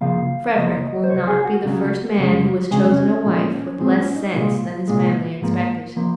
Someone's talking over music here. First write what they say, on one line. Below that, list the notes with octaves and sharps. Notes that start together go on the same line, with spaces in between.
Frederick will not be the first man who has chosen a wife with less sense than his family expected.
F#2 C#3 F3 A#3 F5
F#2 C#3 F3 A#3 D#5
C5
C#2 C#3 F#3 C#5
G#4
F#4
C#2 C#3 F#3
F2 C#3 G#3
F2 C#3 G#3 G#4
C#4
C#4
A#2 F3 G#3
A#2 F3 G#3 C4
C#4
D#4
C2 A#2 G#3 F4
C2 A#2 G#3
G#2 F3 A#3
F3 A#3